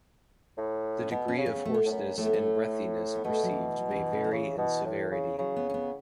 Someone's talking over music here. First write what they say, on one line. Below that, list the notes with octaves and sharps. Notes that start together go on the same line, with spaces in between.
The degree of hoarseness and breathiness perceived may vary in severity.
A2
C#4
B2 B3
C#4
C#3
C#4
B3
A3
B3
A2
F#2
A2 A3
B3
A3
B3
B2 A3
F#3
E3
F#3
C#3
E3
C#3
F#3
C#3 E3
B2
A2
C#3
C#3 F#3
B3
C#4
B3